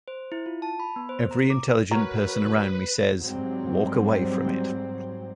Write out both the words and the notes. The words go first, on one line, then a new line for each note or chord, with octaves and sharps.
Every intelligent person around me says, 'Walk away from it.
C5
E4
F4
A5
B5
B3
C5
A#5
D6
F#4 A#4 B4 C#5 A#5
G#2 F#3 G3 C4